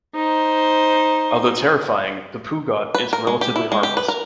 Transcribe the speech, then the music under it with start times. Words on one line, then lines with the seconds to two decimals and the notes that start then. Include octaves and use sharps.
Although terrifying, the "pugot" is relatively harmless.
0.15 D#4 C5
2.94 B4
3.13 A#4
3.27 G#3
3.41 G4
3.56 E4
3.72 G#3
3.83 G4
3.97 B4
4.08 A#4